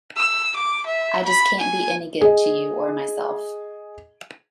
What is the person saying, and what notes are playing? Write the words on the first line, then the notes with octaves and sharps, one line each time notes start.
I just can't be any good to you or myself.
E6
D6
E5
B5
G#5
G#4 D#5